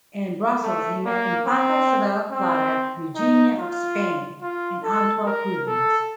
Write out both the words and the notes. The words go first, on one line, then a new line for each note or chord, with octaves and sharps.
In Brussels he met Infanta Isabella Clara Eugenia of Spain; in Antwerp, Rubens.
A3
A#3
C4
C4
D#4
F4
F4
A4
A#4
A4